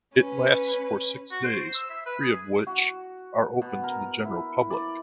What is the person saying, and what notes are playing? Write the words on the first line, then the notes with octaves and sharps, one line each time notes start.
It lasts for six days, three of which are open to the general public.
C#4 B4
F#4
C5
C5
E6
E5
B4
G#4
F#4
B2
A#4
E4
D5